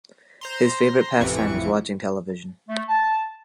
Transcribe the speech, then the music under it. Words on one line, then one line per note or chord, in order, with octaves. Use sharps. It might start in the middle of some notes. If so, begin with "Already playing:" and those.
His favourite pastime is watching television.
C5 A#5 C6
A1 F2 C3 E3 C#6 D7
A3
A5